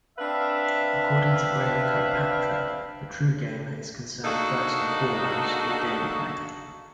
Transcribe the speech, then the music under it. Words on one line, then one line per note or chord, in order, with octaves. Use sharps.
According to Graeme Kirkpatrick, the "true gamer" is concerned first and foremost with gameplay.
C4 D4 B4 E5 F5
A#3 D4 D#4 F#4 G#4 A4